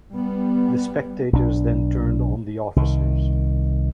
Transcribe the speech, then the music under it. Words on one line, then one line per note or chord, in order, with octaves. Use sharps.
The spectators then turned on the officers.
G3 B3
B1 D4
C2 D#3